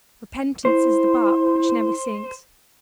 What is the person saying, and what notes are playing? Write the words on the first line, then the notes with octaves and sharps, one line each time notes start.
Repentance is the bark which never sinks.
E4 C5